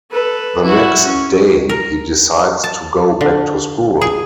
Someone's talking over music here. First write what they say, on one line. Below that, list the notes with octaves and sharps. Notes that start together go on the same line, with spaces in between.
The next day he decides to go back to school.
A4 B4
E4 F#4
C#4
A#4
A5
D3
G#4